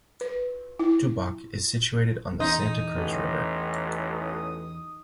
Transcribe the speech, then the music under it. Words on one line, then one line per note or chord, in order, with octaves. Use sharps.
Tubac is situated on the Santa Cruz River.
B4
E4
E2 D#4 C6
A1
D#6